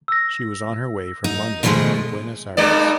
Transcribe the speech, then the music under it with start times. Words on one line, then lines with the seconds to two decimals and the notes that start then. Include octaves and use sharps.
She was on her way from London to Buenos Aires.
0.08 E6 A#6
1.24 D#4
1.63 B2 D#3 F3 F#3 G#3 A3
2.57 G2 G#3 D#4 D5